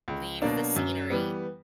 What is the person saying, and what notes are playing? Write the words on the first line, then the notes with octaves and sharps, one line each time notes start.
leave the scenery
C#2
B2 F#3 A#3 D4
F#2
E3 G3 B3